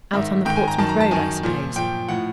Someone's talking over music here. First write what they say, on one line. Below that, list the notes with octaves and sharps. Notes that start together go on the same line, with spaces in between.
"Out on the Portsmouth Road, I suppose?"
G#2 D#3 E5
G#2 D#3 G5
G#5
A#5
F#2 D#3 A5
A#5
A5
F#2 D#3 G#5
A#2 F3
A#2 F3 G5
A2 F3 F#5